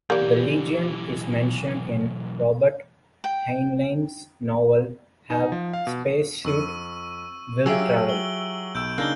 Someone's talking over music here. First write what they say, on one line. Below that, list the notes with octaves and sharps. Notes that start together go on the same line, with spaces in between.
The legion is mentioned in Robert Heinlein's novel Have Space Suit - Will Travel.
B1 E3 A#3 G4 D5
G5
D#4
F3
F5
B2
F2 C#6 E6 D#7
F#3 F4 G4 G#4 E5 E6 D7
F#7 G7
B1 E6 G6 D7
C#3 A#3 D4 D#4 F#6 G6 G7